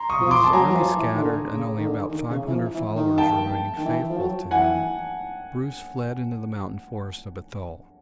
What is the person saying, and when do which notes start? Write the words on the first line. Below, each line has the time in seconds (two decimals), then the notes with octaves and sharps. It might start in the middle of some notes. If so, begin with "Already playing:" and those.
With his army scattered and only about five hundred followers remaining faithful to him, Bruce fled into the mountain forests of Athole.
Already playing: A#5 C6
0.09 C#6 D#6
0.21 F3
0.31 C6 D6
0.44 A5
0.53 F#3 G#5 A#5
0.69 F#3
0.75 F3
0.97 E3
1.13 D#3
1.20 D3
1.52 C#3
1.78 D#3
1.86 D3
2.08 D#3
2.30 C#3
2.47 E3
2.52 F3
2.74 E3
2.96 D#3
3.18 G5 A5
3.77 D#3
3.85 E3
4.10 F3
4.17 F#3
4.51 E3 F#5 G#5